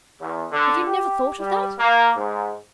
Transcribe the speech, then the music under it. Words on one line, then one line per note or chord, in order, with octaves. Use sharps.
Have you never thought of that?'
E2
D3
G4
G3
A#3
G#2